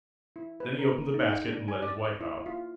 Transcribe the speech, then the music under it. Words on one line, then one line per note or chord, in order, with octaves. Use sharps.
Then he opened the basket and let his wife out.
E4
B4
A#4
D#4
G5
D4
G#5
D5
E4
F4